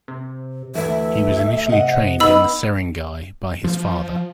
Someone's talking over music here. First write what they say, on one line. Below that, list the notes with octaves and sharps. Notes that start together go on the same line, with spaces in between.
He was initially trained in the sarangi by his father.
C3
D2 E3 E5
C3 D#5 F#5
B3 D#4 D#5 B5 E6
F3